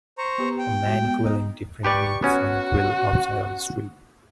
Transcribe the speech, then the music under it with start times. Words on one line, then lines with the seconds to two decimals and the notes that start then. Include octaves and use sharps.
A man grilling different meats on a grill outside on the street.
0.18 C5 A#5 C#6
0.38 B3 G4 B4
0.58 G5
0.86 G#3 F#4
1.04 B3
1.24 D#4
1.84 G4 B4 D5 C#6
2.23 B3 C#4 F#4 G#5